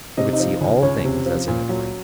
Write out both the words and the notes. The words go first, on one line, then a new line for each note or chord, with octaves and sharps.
He would see all things as in a dream.
C3 D#5
D#4 D#5
F3
C#2
C#2 C#4 C#5
C3
F3
A#2
F#3